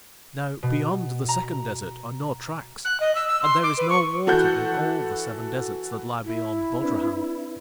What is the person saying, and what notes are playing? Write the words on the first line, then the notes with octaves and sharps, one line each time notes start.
Now, beyond the second desert are no tracks, and there is no water in all the seven deserts that lie beyond Bodrahan.
B2
A#5
F#6
D#5
E6
E6
C6
D6
B4
C#6
E3 F#4 A4 F#5 G6
E4
C4 D4 B4